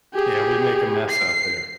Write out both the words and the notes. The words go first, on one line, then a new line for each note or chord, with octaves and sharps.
Yeah, we make a mess out there.
G4 G#4
C7